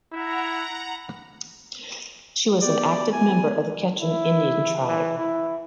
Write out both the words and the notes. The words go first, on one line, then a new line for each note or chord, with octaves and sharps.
She was an active member of the Quechan Indian Tribe.
E4 F#5 A#5
B3 F#4 G4 D5
E4 G#5
E4
E3
E4